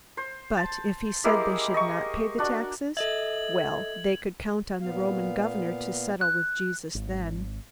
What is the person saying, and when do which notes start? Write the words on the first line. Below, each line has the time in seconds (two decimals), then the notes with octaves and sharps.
But if he said they should not pay the taxes--well, they could count on the Roman governor to settle with Jesus then.
0.17 C5
0.57 A5
1.24 G#3 A#3 E4 G4
1.74 D#5 C#6
2.38 D4 F#4
2.97 A4 D#5 E5 G#6 F#7
4.81 A#2 B3 F5
6.21 F#6
6.95 G#1